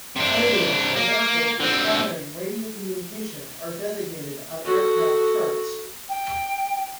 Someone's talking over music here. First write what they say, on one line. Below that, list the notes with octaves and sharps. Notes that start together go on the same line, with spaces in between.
Areas and airports requiring radio communication are designated on aircraft charts.
C3 D4
A#3
D3 C4
F#4 A4
G5